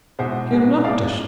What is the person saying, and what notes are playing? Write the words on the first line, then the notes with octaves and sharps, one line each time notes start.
He unlocked it.
E2 B2 G#3 C5 E5
C2 B2 G#3
A2 G#3 D5 F5